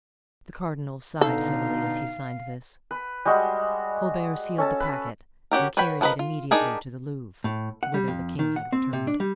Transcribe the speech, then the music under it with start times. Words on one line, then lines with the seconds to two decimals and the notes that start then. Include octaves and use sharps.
The cardinal sighed heavily as he signed this; Colbert sealed the packet, and carried it immediately to the Louvre, whither the king had returned.
1.21 B2 D3 D#4 A4 F5
2.91 B4
3.25 G3 G#3 F#4
4.58 C#4 A4 A5
4.80 B4
5.52 C#4 F#4 G4 A#4
5.77 B4 C#5 F#5 G5 B5
6.01 F3 A#4 B4 D#5 B5
6.19 F4
6.51 D4 D#4 G4 G#4 A#4
7.44 A2
7.83 F#5
7.94 G3
8.08 F2
8.39 D#3
8.56 F#5
8.73 C4
8.93 C3
9.07 D4
9.20 G3